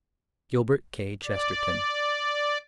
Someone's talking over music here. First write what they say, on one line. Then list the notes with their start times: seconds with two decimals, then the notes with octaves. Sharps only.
Gilbert K. Chesterton.
1.25 D5